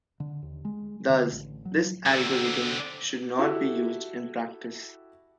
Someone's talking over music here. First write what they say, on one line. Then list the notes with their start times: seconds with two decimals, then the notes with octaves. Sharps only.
Thus this algorithm should not be used in practice.
0.20 D3
0.42 D#2
0.65 G#3
1.10 D3
1.31 A1
1.65 F#3
2.06 D3 C4
3.39 E4 F#4 G4 A4